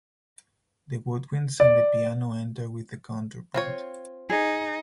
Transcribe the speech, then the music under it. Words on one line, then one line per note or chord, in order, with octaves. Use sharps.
The woodwinds and the piano enter with counterpoint.
D5
C4 F4 C#5
D#4 G#4